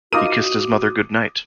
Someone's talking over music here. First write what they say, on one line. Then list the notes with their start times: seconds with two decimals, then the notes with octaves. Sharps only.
He kissed his mother good-night.
0.13 D#4 F4 F#4 A#4 D6 D#6 D#7